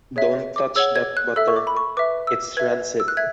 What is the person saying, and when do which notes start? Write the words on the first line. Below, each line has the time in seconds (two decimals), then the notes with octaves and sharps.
Don't touch that butter. It's rancid!
0.16 G#4 C#5 E5
0.56 D6
0.75 G#4 C#5 F#5 E6
0.96 G#6
1.17 F#6
1.36 A4 E5 E6
1.48 C#6
1.56 D6
1.67 B5
1.77 C#6
1.97 B4 E5 D6
2.27 E6
2.57 B4 E5 G#6
3.00 E6
3.08 F#6
3.17 E5 G#6